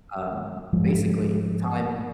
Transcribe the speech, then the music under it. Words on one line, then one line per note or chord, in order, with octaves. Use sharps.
um, but basically, time
G#2 F3 G#3